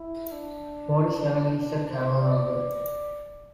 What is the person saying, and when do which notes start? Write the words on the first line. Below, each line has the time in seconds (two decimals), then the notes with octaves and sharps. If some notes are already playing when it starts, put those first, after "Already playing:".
Forty-seven is a Carol number.
Already playing: E4
0.32 D4
1.58 D4
1.89 C5
2.21 D5